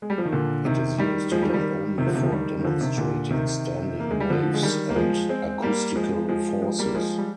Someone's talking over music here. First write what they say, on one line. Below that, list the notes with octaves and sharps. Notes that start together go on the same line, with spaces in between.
It is used today only for demonstrating standing waves and acoustical forces.
G#3
G3
F3
D#3
A#2 D3
C3 D#3
D#3 G3
F3 G#3
D#3 G3
F3
D#3 G3
C3 D#3
D3 F3
C3 D#3
D3 F3
D#3 G3
D#3
D3 F3
C3 D#3
A#2 D3
C3 D#3
A#3
G#3
G3
D3 F3
G#3
D#3 G3
A#3
F3 G#3
G#3 C4
G3 A#3
F3 G#3
F3 G#3
F3 G#3
G3 A#3
F3 G#3
G3